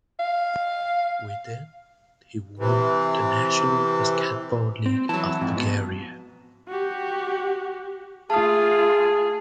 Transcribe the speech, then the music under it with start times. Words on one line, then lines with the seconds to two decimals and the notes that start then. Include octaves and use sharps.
With them he won the National Basketball League of Bulgaria.
0.19 F5
2.59 C3 E3
4.86 C4
5.09 E3 F#3 A5
5.41 F2 G#2
5.57 B2
6.68 F#4 G4
8.30 A3 F4 G#4 A5 D#6